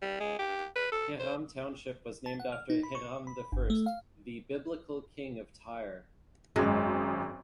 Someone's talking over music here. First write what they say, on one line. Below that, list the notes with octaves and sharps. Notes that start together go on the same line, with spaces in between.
Hiram Township was named after Hiram I, the biblical king of Tyre.
G3
G#3
G4
B4
A4
C5
A5
F#5
F6
D#4
B5
C#6
B5
G1
A3
F5
G#1 F#2 G#3